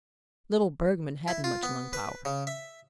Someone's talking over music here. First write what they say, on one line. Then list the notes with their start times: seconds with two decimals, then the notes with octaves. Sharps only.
Little Bergmann hadn't much lung power.
1.28 E4
1.44 F4
1.63 B3
1.93 B4
2.25 C#3
2.47 E5